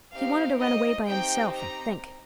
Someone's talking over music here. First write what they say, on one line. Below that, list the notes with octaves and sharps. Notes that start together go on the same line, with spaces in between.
He wanted to run away by himself and think.
C4 D#4 G4 F5
D#5
C4 D#4 G4 G5
A#5